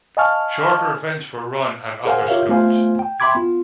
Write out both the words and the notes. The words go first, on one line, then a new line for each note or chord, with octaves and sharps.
Shorter events were run at other schools.
D#5 F5 G#5 A5 C#6 F6
G#4 A#4 C5 F5 F#5 G#5
F4 G4 A#4 C#5 E5 F5
A3 B3 F4 C5 F5 G#5
G5
E5 G5 B5 C6 D6 G#6
B3 F4